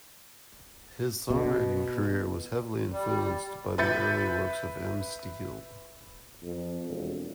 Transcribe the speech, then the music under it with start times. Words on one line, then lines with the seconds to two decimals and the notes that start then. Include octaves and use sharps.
His songwriting career was heavily influenced by the early works of M-Steel.
1.30 B2
2.92 G3
3.78 B4 E5 B5 G6 A6 C#7
6.43 F2
6.86 E1